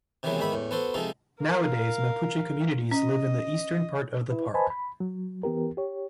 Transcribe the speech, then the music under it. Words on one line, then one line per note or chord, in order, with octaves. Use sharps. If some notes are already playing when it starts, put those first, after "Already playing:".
Nowadays Mapuche communities live in the eastern part of the park.
C3 D#3 E3 F#3 G#3 B3
E2 G#2 D#3 E5 B5
E2 A2
B3 F#4 A4 C5
C3 F3 G#3 D#4 A4
A#4 F5
C#4 D#5
E4 B4
B4 C5 D#5 G#5 A5 B5
B5
F#3
E3 B3 G4 A#4
G4 C#5